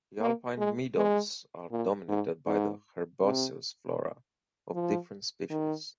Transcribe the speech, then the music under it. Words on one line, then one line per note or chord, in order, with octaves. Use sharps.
The alpine meadows are dominated by the herbaceous flora of different species.
A#3
G#3
G#3
A#2
G#2
G#2
C3
F3
D#3